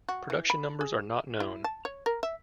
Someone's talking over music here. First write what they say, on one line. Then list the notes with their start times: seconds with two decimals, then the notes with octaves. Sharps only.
Production numbers are not known.
0.09 F#4
0.30 E3
0.50 B5
0.81 G#4
1.40 E4
1.64 A5
1.85 C#5
2.06 A#4
2.23 E5